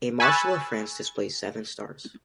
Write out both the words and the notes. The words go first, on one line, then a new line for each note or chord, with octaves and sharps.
A Marshal of France displays seven stars.
G#5 B5 C#6 E6 F#6 A6